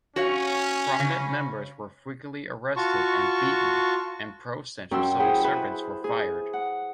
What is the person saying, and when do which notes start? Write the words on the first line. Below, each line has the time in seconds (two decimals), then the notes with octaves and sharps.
Prominent members were frequently arrested and beaten, and pro-Centre civil servants were fired.
0.16 C#4 F#4 C#5 F5
1.00 C#3
2.77 F4 F#4 A5 C#6
4.91 F#2 G5 C6 E6
5.19 E4 G#4 C5 F#5 G5 B5
5.44 G#4 B4 C5 E5 B5
6.04 G#4
6.53 F#5